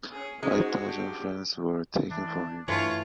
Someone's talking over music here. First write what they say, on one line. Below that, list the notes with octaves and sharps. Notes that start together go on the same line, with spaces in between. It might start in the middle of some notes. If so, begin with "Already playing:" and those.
Five thousand francs were taken from him.
C#4 G#4
G#2 G#3 C#4 F#4
D4 G4
E3 D4
G2 E3 A3 F4 C#5